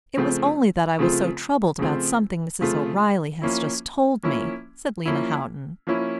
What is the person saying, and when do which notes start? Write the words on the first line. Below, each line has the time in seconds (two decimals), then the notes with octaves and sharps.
"It was only that I was so troubled about something Mrs. O'Reilly has just told me," said Lena Houghton.
0.17 C#3 F3 A3 C4 F4
0.99 C#3 F3 A3 C4 F4
1.79 C#3 F3 A3 C4 F4
2.61 C#3 F3 A3 C4 F4
3.42 F3 A#3 C#4 E4
4.23 F3 A#3 C#4 E4
5.06 F3 A#3 C#4 E4
5.87 F3 A#3 C#4 E4